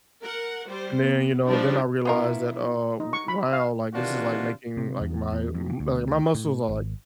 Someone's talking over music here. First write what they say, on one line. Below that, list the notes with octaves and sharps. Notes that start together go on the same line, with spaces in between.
and then, you know, then I realized that, uh, w wow, like, this is, like, making, like, my, m like, my muscles are like
A#4 F#5
G3 C5
B3
F3 G3 D4 D#4
B2 B3 D4 E4 F4 A#4
D#4
C#6
B5
F5
C3 D#3 E3 D4 F4 F#4
C3
E2
E2
F2
D2
A2
G#1